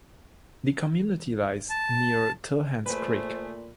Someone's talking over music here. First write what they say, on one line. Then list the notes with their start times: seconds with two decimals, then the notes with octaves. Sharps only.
The community lies near Tilhance Creek.
1.70 A5
2.86 A#2 A3 G#4 B4 C5